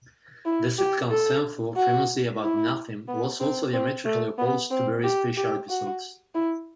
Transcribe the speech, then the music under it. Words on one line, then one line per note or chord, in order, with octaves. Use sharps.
The sitcom "Seinfeld", famously "about nothing," was also diametrically opposed to very special episodes.
E4
G4
A4
F#4
E4
B3
C4
C4
A3
B3
C4
G4
G4
F#4
E4